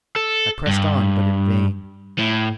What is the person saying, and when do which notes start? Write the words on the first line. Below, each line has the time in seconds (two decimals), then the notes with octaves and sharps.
I pressed on, but in vain.
0.16 A4
0.67 G2
2.19 A2